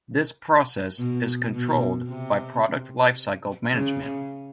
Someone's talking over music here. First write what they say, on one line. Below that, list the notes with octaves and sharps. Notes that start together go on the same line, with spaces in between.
This process is controlled by product life cycle management.
B2
B2
C3
C#3